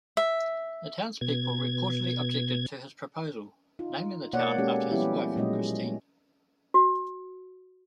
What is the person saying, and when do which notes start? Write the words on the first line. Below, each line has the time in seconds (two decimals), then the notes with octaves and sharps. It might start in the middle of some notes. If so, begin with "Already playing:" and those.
The townspeople reportedly objected to his proposal, naming the town after his wife, Kristine.
0.17 E5
1.21 B2 G#6
3.79 D#4 F4
4.33 B2 A#3 C#5 D5 F#5
4.58 G#3 A#3 C#4 F#4 G4 A4
4.91 F3 G3 B3 C#4 E4 G4
5.36 A#2 F#3 G#3 C#4 D#5
6.74 F#4